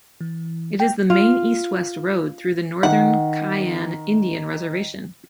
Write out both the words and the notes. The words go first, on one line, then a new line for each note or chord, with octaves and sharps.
It is the main east-west road through the Northern Cheyenne Indian Reservation.
E3
G5
F4
D#3 F#5